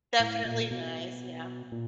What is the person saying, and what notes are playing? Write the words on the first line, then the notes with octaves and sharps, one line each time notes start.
Definitely nice, yeah.
A2
A#2
B2
A#2